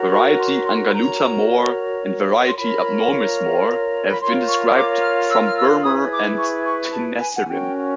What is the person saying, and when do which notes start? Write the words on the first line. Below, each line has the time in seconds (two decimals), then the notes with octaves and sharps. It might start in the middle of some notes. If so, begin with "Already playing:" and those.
Variety "angulata" Moore, and variety "abnormis" Moore, have been described from Burma and Tenasserim.
Already playing: F#4 A#4 C#5
0.12 C#6
0.40 C6
0.66 C6
0.86 B5
0.94 F#4 A#4 C#5 A#5
2.47 C6
2.57 F4 A#4 C#5 B5
4.11 B5
4.21 F4 A#4 C#5 C6
4.48 C#6
4.75 D6
5.02 F6
5.30 E6
5.47 F6
5.57 E6
5.84 E4 G#4 B4 D#6
6.12 D6
6.38 C#6
6.66 C#6
6.93 A5
7.20 G#5
7.37 F#5
7.47 C#4 F#4 A#4 G5